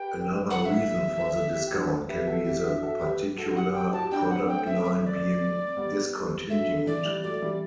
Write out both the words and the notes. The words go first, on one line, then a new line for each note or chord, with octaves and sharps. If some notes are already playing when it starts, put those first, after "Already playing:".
Another reason for the discount can be the particular product line being discontinued.
Already playing: G4 B4 G5
F#5
F#5
E5
E4 G4
G4
D4 F#4
G4 B4 E5
F#4 A4
E4 G4
D4 F#4
F#4 A4
G4 B4
F#4 A4
F#4
E4 G4 F#5
G5
F#4 A5
G4
D4 F#4 G5
C4 F#5
D4
A3 C4 G5
E5
E5
E5
D5
G3 B3
D3 F#3 E5
D3
E3 D5
E3 G3
F#3 A3 D5
F#3
E3 G3